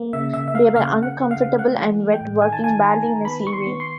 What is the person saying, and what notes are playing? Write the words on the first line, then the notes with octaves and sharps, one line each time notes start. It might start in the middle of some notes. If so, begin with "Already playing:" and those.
They were uncomfortable and wet, working badly in a seaway.
Already playing: A#3
C#3 E5
C#3 E5
E5
A#3 F5
C#3 F5
C#3
F#5
C#3
F5
C#3
A3 F#5
E3
A3
G5
A2
D#3 G#5
A5
D#3 G#5
D#3 A#5
D#3
B3 B5
D#3 C#6
C6
B3
C6